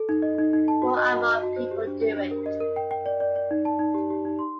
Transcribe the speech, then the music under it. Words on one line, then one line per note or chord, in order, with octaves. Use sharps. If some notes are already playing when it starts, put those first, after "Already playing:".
More and more people do it.
Already playing: A4
D#4
D#5
D#4
D#4
A5
F#4
D#5
F#4
D#5
F#4
C5
G4
D4
D4
D4
A#4
D#5
A#4
G5
G5
D5
D5
D5
D#4
A5
D#4
G4
G4
D#4
C6